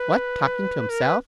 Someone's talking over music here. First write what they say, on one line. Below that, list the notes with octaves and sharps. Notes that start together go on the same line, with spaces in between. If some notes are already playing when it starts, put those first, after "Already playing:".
"What! talking to himself?"
Already playing: B4
A#4
B4